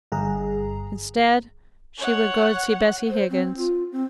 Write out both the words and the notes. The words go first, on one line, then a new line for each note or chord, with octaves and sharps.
Instead, she would go and see Bessy Higgins.
G1 G2 G#4 A#5
C#5 F#5
C5
C4
F4
C4